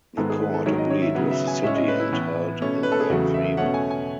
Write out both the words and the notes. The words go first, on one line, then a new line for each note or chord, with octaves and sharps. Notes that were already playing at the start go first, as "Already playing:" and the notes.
The Court agreed with the City and held in their favour.
G#2 D#3 G#3 B3 A4
G#4
B4
A4
G#2 D#3 F#3 C#5
D#5
C#5
E5
C#3 F#3 B3 F#5
E5
G#5
A2 G#3 C#4 E5
D#5
B4
E4
A2 E3 B3
B2 A3 C#4
B4
A4
G#4
E2 C#3 F#3 A3 F#4
E5
B2 A3 C#4 F#5
G#5
G#5